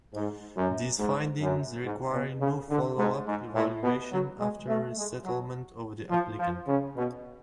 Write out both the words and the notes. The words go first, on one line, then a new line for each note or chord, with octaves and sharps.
These findings require no follow-up evaluation after resettlement of the applicant.
G#2
F#2
G#2
F#2
G#2
B2
C#3
D3
G#2
G#2
A2
B2
F#3
G#3
A3
G#3
F#3
F3
F3
C#3
B2